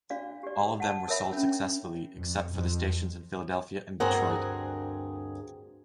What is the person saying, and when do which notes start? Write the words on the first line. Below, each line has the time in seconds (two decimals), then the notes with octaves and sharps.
All of them were sold successfully except for the stations in Philadelphia and Detroit.
0.10 D4 F#4 D5 F5
0.43 G4 D5
0.80 F#5 A5
1.08 A4 A#4 C#5 E5 B5
1.33 C#4 D4
2.17 F2
2.53 F2
4.00 D2 G2 C4 G#4 A#4 F#5